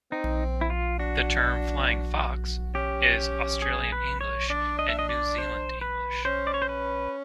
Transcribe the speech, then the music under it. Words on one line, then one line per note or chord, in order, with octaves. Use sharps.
The term "flying fox" is Australian English and New Zealand English.
C4 D#4
E4
F4
D4 F#4
C#4 G4
G#4
B4
C#5
D4 D5
D#5
E5
D#5
D5
C5
B4
C#4 C5
D5
C#5
C5
B4